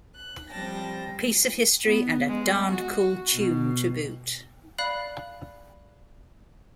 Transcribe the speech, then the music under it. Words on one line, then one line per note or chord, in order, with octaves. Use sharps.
A piece of history and a darned cool tune, to boot.
F#6
F3 G3 C4 G5 A5 A#6
B3
G#3
F#4
B2
D5 F5 B5 F#6 F#7